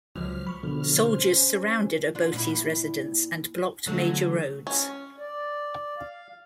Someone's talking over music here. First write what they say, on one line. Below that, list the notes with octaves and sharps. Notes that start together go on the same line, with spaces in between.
Soldiers surrounded Obote's residence and blocked major roads.
C#2 F3 F#3 F6
B5 C#6
B2 D3 F3 F6
C5
C#4
D4 F4
A#2 E4
D3 F#3 A3
C#4
D5
F5